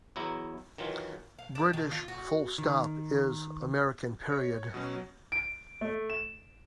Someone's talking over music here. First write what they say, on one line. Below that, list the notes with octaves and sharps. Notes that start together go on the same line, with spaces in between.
British full stop is American period.
E2 F#3 E4 A#5
D#3 E3 F#3 F4
F5
D4
D#3
F4
F#4
D#3
C#5 C#7
B2 F#3 C#4
D7
A3
E7